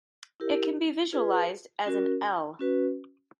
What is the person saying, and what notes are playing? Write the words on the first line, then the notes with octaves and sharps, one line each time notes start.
It can be visualised as an 'L'.
E4 G4 A#4
F4 G#4 B4
C#4 F#4 A#4
C#4 F#4 B4